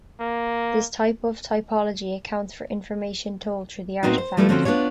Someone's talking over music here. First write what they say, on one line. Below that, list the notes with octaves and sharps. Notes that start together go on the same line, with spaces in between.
This type of typology accounts for information told through the artifact.
A#3
A#2 G#3 B3 C4 D#4 F#4
C5
F3 G3 A3 E4 A4 B4
D3 F3 C4 C#4 F#4 A4
B3 D4 F4 G#4 C#5